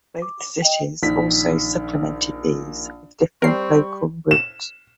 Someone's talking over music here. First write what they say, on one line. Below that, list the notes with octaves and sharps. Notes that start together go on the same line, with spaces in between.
Both cities also supplemented these with different local routes.
D6
D#5 G5
A#1 D#3 B6
G3 C4 A#4 C#6 C7
E7